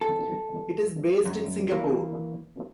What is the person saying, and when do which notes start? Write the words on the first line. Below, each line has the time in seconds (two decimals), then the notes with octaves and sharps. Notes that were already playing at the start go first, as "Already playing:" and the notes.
It is based in Singapore.
0.01 A4
1.25 F#2
1.71 E3 A#3